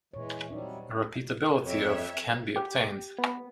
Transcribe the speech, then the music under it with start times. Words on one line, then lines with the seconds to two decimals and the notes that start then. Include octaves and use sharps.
A repeatability of can be obtained.
0.13 A#2 E3 G#3 C#5
0.50 C3 F#3 G3 C#4 D#4 D5
1.64 F2 C#5 E5
2.56 G4
3.19 B3